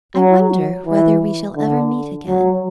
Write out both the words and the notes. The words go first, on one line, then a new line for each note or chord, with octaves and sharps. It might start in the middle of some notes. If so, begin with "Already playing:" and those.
I wonder whether we shall ever meet again?
F#3
E3
D3
F#3